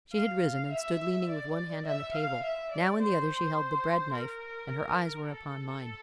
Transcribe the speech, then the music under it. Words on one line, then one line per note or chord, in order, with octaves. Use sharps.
She had risen, and stood leaning with one hand on the table; now in the other she held the breadknife, and her eyes were upon mine.
F5
E5
D5
E5
F5
E5
D5
C5
A#4
A4